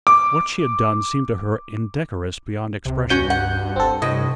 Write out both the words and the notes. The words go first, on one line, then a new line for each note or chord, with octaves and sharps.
What she had done seemed to her indecorous beyond expression.
D6
C#2 C3
G2 C#4 F#4 G6
F#5
F#1 C4 A4
A2 C3 D#5